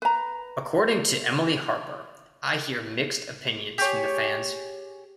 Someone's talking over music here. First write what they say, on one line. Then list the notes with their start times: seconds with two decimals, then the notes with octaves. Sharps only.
According to Emily Harper, I hear mixed opinions from the fans.
0.02 B4 A#5
3.78 G4 G#4 C#5